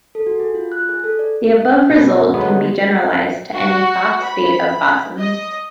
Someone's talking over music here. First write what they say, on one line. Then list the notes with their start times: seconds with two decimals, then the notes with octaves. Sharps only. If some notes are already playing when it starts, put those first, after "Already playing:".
The above result can be generalized to any Fock state of bosons.
0.15 A4
0.27 F#4
0.40 G#4
0.55 F4
0.72 F#6
0.89 G#4
1.04 A4
1.19 D5
1.90 B2
2.34 D3 F#3 G#3 B3
3.52 F#4
4.23 B5
5.18 D#5